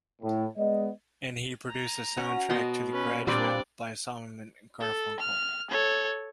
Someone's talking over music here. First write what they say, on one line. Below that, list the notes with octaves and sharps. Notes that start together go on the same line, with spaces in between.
And he produced the soundtrack to "The Graduate", by Simon and Garfunkel.
A2
G#3 B3 D5 D#5
A#5
C#4 F#4
B2 D#5 C6
C#4 B4
A#2 G3 C4 D4 B4 D5
A4
F6
A4 C#5